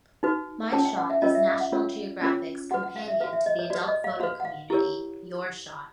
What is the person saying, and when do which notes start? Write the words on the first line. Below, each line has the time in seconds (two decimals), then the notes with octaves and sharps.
My Shot is National Geographic's companion to the adult photo community "Your Shot".
0.23 D#4 F#4 B4
0.72 C#4 F4 A#4 C#5 A5
0.85 G5
0.97 F#5
1.10 E5
1.22 C#4 F4 A#4 C#5 D#5
1.35 E5
1.47 F5
1.60 F#5
1.72 C#4 F4 A#4 C#5
2.22 C#4 F4 A#4 C#5
2.71 F#4 B4 F#5
2.83 F#5
2.96 F5
3.08 E5
3.20 B4 F5
3.24 F#4
3.33 E5
3.46 D#5
3.59 C#5
3.70 F#4 D5
3.75 B4
3.88 D#5
4.04 F5
4.20 F#4 F5
4.23 B4
4.40 F#5
4.45 F5
4.70 E4 G4 A#4 C#5